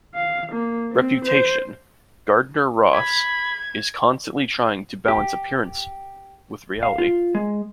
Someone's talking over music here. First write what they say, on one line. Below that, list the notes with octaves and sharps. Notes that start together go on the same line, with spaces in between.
Reputation: Gardner Ross is constantly trying to balance appearances with reality.
F5
A#3
C4
C5
B5 G#6
G4
F5
F4
G#3